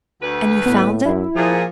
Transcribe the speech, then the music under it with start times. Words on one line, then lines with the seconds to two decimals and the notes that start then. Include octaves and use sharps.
"And you found it?"
0.22 D2 B4
0.66 A2 B3
1.05 F#2 E4
1.36 A#2 F3 G#4